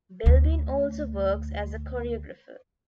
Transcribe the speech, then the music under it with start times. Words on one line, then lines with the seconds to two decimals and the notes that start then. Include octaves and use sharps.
Belbin also works as a choreographer.
0.26 D2 A3